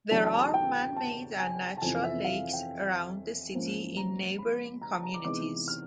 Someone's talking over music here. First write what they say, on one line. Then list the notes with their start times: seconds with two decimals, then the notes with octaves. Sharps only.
There are man-made and natural lakes around the city in neighbouring communities.
0.11 E2 C#3 F#3 A3 D4 A5
0.25 A5
0.40 A5
0.54 G5
0.97 A5
1.39 G#5
1.77 A5
1.82 F2 C3 E3 G#5
2.04 E5
2.25 F5
2.53 G5
3.54 G#2 F3 A#3 C#4
3.97 A#5
4.38 B5
4.82 A#5
4.93 A5
5.03 A#5
5.14 D6
5.25 C3 E3 G#3 B3 D#4 D6
5.68 F6